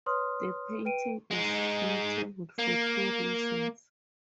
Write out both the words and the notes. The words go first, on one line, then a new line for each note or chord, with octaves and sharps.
The painting is notable for two reasons.
B4 C#5 C6 D#6 F6
B4 G5 D7 D#7
G#3 D#4
A#3